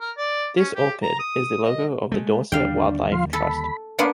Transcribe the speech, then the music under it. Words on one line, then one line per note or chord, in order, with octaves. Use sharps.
This orchid is the logo of the Dorset Wildlife Trust.
A#4
D5
C#4
G4
A#5
D#6
D#5
G#3 A3
D#2 D3 G3 D4 F5 G5
F3 F5 C6
A4 B5
A#3 B3 D4 C#5 F5 C6